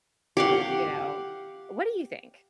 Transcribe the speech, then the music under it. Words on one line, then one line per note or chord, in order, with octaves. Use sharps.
You know? What do you think?
G4 F5 F#5